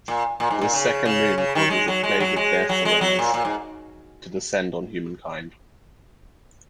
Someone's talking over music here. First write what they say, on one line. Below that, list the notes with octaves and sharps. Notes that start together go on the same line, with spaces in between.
This second moon causes a "plague of death awareness" to descend on humankind.
A#2
A#2
G#2
A#2
C#3
C#3
C#3
D#3
G#3
F#3
G#3
F#3
G#3
F#3
G#3
F#3
A#2
A#2
G#2